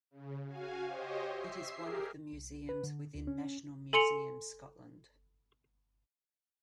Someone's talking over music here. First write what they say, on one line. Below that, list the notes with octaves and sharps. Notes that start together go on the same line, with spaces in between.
It is one of the museums within National Museums Scotland.
C#3
F#4 F5 G#5
G4 C5 C#5 D#5
E5 C7
G4 G#4 A#4
C2
B4
D3
D2
C#4
A4 G#5 C6 C#7 F7